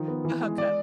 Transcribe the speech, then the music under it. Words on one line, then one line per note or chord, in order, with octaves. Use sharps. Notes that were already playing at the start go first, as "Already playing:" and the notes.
A hookup.
Already playing: D#3 F3
B3
E3
G#3
D5